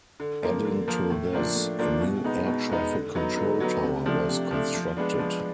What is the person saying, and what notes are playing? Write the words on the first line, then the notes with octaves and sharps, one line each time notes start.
Adding to this, a new air traffic control tower was constructed.
D3
F3 A#3
D3
F3 A#3
A2
F3 A#3 D4 F4
A2
F3 A#3 D4 F4
B2
G#3 B3 D#4
B2
G#3 B3 D#4
D3
F#3 B3 D#4
D3
F#3 B3 D#4
C3
F3 A3 D4
C3
F3 A3 D4
F3
G#3 B3 D4
F3